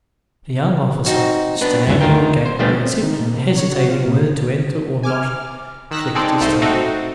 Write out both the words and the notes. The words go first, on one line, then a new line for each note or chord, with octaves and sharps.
The young officer standing in the gateway, as if hesitating whether to enter or not, clicked his tongue.
C4 D#4 F#4
B3 D4 B4
G1 D2 G#2 F#3 E5
D2 D#3 F4 A#4 G5
C5
F3 G3 A3 B3 C#4 D4
C4
D#3
A#2
C3
C#5
F#4
F4
A#2
G#5 D6 F6
D#3 E6 F#6 A#6 B6
G#3 C4 D#4 A4 D5
C2 G#2 A3 D#4 C5
A3 C4 D#4 F#4 A4